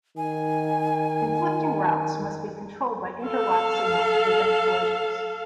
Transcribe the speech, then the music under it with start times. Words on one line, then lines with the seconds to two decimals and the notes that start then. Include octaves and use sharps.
Conflicting routes must be controlled by interlocked signals to prevent collisions.
0.17 D#3 G#5
3.25 A4 F5